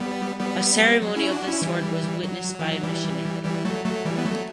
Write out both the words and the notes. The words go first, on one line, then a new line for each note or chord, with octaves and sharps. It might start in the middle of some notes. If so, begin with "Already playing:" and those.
A ceremony of this sort was witnessed by a missionary.
Already playing: G3 B3
G3 B3
F#3
C#4 E4
D4 F#4
C#4 E4
E3 G3
F#3
E3
F#3
E3 G3
E3 G3
F#3 A3
F#3 A3
E3 G3
B3
F#3 A3